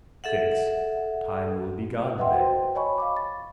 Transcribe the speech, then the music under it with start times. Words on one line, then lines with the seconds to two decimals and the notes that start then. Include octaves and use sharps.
Six. Time will be gone then.
0.24 G#4 A4 E5 F#5
2.18 B4 D#5 E5 F#5 G5 C6
2.33 F#4 C5 G5
2.75 C#5 D#5 G#5 B5 C#6
2.98 F5 B5 D6
3.17 A6